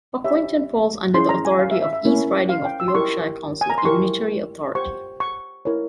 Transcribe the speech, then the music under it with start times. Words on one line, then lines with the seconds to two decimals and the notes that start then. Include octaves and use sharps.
Pocklington falls under the authority of East Riding of Yorkshire Council, a unitary authority.
0.25 G4 C#5 E5
1.14 C#4 E4 G#4 C#5 C6
1.29 A#5
1.45 G#5
1.59 F5
1.71 E5
1.82 E5
1.93 E5
2.05 C#4 E4 A#4 C#5
2.49 F5
2.65 G5
2.80 E6
2.88 C6
2.95 E4 G4 A#4 C#6
3.61 G#5
3.70 A#5
3.78 C6
3.84 E4 G4 A#4 C#6
4.75 G4 C5 C#6
5.20 C#6
5.65 E4 A#4 C#5